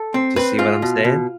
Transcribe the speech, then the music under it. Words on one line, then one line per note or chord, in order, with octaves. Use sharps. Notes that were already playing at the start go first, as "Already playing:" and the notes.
Do you see what I'm saying?
Already playing: A4
C4
C4 B4
G#2 F4
B2
B2